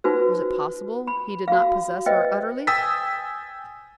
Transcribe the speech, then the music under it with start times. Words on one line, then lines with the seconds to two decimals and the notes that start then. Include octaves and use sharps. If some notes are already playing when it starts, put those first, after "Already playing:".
Was it possible he did not possess her utterly?
0.04 D#4 F4 F#4 B4 C5
1.07 B5
1.48 F#4 F5
2.06 B4 C5 D#5 E5 G5
2.67 G5 G#5 D#6 E6 A6 B6